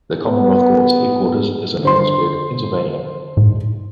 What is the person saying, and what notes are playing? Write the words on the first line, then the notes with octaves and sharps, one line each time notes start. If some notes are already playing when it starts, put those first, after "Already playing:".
The Commonwealth Court's headquarters is in Harrisburg, Pennsylvania.
B3
D3 C5 C6
A2